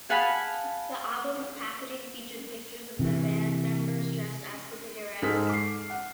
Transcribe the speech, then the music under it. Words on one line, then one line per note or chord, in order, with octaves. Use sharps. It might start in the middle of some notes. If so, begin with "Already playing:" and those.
The album's packaging featured pictures of the band members dressed as superheroes.
G#4 F5 F#5 G#5 A5 B5
C3 E3
G#2 G#3 A4 F6 B6
D6 C7
F#5